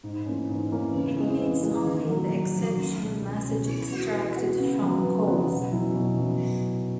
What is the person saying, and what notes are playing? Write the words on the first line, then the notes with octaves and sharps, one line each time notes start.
It needs only the exception message extracted from "cause".
G#2
E3 A#3 C#4
G#2
E3 A#3 C#4
C#3
E3 G#3
C#3
E3 G#3
D#3
F#3 A#3
D#3
F#3 A#3
C#2
B2 G#3 C#4
C#2
B2 G#3 C#4
E3
B3 F#4
E3
B3 F#4
C#3
F#3 B3
C#3
F#3 B3
B2
F#3 C#4 E4
B2
F#3 C#4 E4